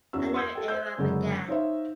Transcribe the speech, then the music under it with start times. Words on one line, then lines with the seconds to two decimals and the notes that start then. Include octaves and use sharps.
A new era began.
0.13 E2 C#4 F#4 E6
0.34 C6 D#6 E6 G6 G#6
0.55 A4 G5
0.68 C5 E6 G6
0.98 F#1 D3 F#3 G#3
1.48 D#4 C5 C#5 E5 F5